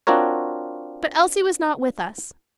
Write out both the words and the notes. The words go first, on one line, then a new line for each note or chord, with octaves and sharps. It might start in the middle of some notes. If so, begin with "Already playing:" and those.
But Elsie was not with us.
C4 D4 F4 F#4 A#4 C#5